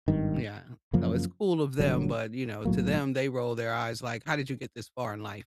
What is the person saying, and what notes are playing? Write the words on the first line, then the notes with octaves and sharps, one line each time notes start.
Yeah, so it's cool of them, but, you know, to them they roll their eyes like, "How did you get this far in life,
G#1 G2 D#3
F#2 C#3 F3 A#3
G1 G2 D3 F#3
B1 A2 F#3 A#3